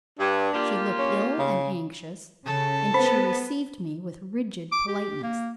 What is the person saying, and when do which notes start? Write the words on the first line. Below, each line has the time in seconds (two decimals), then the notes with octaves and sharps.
She looked ill and anxious, and she received me with rigid politeness.
0.19 G2 D4
0.54 A#3 F4 G4
0.98 C#4
1.38 C#3
2.46 C#3 A4
2.94 B3 C5 B5
4.72 D6
4.88 G4
5.23 A#3